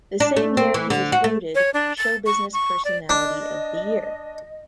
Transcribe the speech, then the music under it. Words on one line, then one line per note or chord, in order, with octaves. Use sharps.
The same year he was voted 'Showbusiness Personality of the Year'.
D4
A3
C4
E3
D3
F#4
A3
C#5
D4
A6
C#6
C#6
D5
D4 D#5